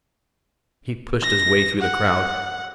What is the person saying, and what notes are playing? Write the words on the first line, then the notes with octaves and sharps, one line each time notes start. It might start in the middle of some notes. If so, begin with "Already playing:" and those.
He pushed his way through the crowd.
A#6
F#5